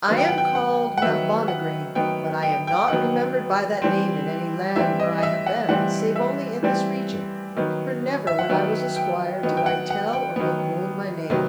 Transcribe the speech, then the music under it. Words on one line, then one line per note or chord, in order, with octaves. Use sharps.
I am called Mabonagrain; but I am not remembered by that name in any land where I have been, save only in this region; for never, when I was a squire, did I tell or make known my name.
D#3 F#3 B3
G5
F#5
G5
F#5
F#5
D#3 F#3 B3 E5
F#5
D#3 F#3 B3 G5
G5
G5
D#3 F#3 B3 F#5
E3 G3 C4
E3 G3 C4 E5
D#5
D#5
E5
F#5
E3 G3 C4 F#5
E5
E3 G3 C4
D#3 F#3 B3
E5
F#5
D#3 F#3 B3 G5
G5
D#3 F#3 B3
G5
F#5
F#5
G5
D#3 F#3 B3
C3 D#3 F#3 B3